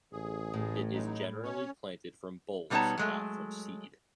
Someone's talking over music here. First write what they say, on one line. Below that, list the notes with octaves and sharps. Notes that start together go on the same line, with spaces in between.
It is generally planted from bulbs, not from seed.
A1 G#4
A2
F#3 G#3 D#4
C#4 C#5
B2 G3 B3 D#4 C#5 A5
F#3 G#3 A3